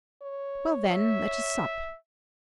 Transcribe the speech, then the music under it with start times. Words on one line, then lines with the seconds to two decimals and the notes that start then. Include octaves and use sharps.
"Well, then, let us sup."
0.22 C#5
0.90 E5